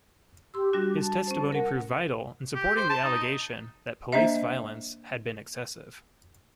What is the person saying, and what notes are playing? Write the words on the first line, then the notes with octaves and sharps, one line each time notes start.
His testimony proved vital in supporting the allegation that Police violence had been excessive.
G4 C6 E6
G3 D4 F#4 G4
A5
C#4 C5
A#4 F#5
G4
C5
A5
D#4
A#3 D4 C5 D#5 E5